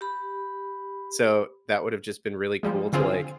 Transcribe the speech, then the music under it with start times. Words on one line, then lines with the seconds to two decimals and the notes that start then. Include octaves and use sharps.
So, that would’ve just been really cool to, like,
0.01 G4 B5
2.63 F3 G3 G#3
2.93 D3 C4 F4 G#4 C5